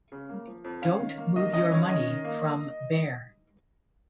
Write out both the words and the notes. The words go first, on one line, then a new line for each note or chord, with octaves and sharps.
Don't move your money from Bear.
C#3
A#3
F3
F2
C#4 F5
D#3
A#3
D#3 D#5
C#4 D#5
D#3 C#5
C#4 D#5
D#3
A#3